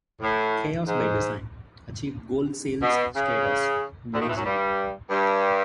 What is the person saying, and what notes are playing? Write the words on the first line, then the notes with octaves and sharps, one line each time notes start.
"Chaos by Design" achieved Gold sales status in New Zealand.
A2
G#2
B2
C#3
D2 D3
D#2 D#3
E2 E3
F#2 F#3
G2 G3
G2 G3